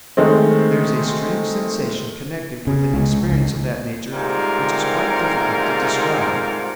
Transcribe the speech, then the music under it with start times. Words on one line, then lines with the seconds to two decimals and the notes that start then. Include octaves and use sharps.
There is a strange sensation connected with an experience of that nature which is quite difficult to describe.
0.17 D#3 G#3 A3 C4
2.67 C#3
2.93 C#2
3.32 C#2
4.13 G#2 C3 G3 A3 F4 A#4